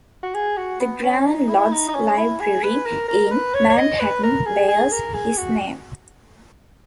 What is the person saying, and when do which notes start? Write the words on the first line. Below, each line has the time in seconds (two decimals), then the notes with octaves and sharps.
The Grand Lodge's library in Manhattan bears his name.
0.23 F#4
0.34 G#4
0.57 F#4
0.80 B3
1.03 C#4
1.26 D#4
1.49 E4
1.71 D#4
1.88 D#4
1.95 C#4
2.17 E4
2.40 G#4
2.63 B4
2.86 A#4
3.08 A#4
3.31 B4
3.54 C#5
3.70 C#5
3.77 D#5
4.00 B4
4.23 A#4
4.46 G#4
4.68 G#4
4.92 A#4
5.14 G#4
5.37 F#4